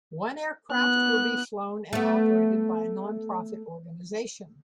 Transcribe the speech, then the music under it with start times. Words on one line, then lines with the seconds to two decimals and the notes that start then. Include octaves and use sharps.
One aircraft will be flown and operated by a non-profit organization.
0.72 B3 F#6
1.93 A3 B3